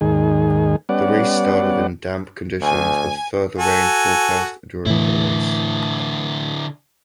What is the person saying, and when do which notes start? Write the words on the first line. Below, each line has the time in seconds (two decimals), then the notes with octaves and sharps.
The race started in damp conditions with further rain forecast during the race.
0.01 D#2 G#2 D#3 G#4
0.89 G3 B3 C#4 D5 F#5
2.61 D2 G#5
3.58 F#4 A4 G#5
4.86 A2 D3 E3 E4